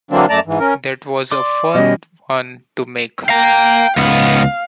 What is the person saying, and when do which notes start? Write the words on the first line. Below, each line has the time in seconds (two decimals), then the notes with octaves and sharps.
That was a fun one to make.
0.11 D3 E3 F#3 A#3 C4 D4
0.29 F#2 A3 D5 A5 A#5
0.46 G#2 E3
0.60 C#4 A#4
1.31 D5 C6 D6
1.75 B2 G3 C#4 D#5
3.29 F5 G5 A#5
3.97 C#2 B3 F5